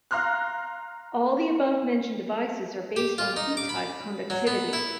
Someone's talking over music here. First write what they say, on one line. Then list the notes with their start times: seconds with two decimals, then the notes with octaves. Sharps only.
All the above-mentioned devices are based on p-type conductivity.
0.11 F5 A#5 C6 F6 F#6
2.96 G4
3.18 F4
3.37 D#4
3.57 D6
3.69 B5
4.30 F#3
4.47 B3
4.73 E4